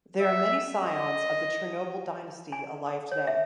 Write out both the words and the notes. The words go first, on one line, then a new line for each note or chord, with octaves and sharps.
There are many scions of the Chernobyl dynasty alive today.
E5
D#5
G#5
D#6
C#5
E5